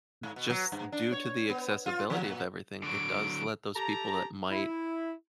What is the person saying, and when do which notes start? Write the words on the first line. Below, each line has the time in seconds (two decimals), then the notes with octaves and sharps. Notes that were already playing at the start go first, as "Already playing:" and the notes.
just due to the accessibility of everything, it does let those people that might,
0.23 G#2
0.36 B2
0.50 F#3
0.72 G2
0.92 D4
1.12 C#5
1.50 B3
1.86 F4
2.10 F3
2.24 A#2
2.84 D3 F#3 D7
3.76 G4 A4 A5 A#5
4.51 E4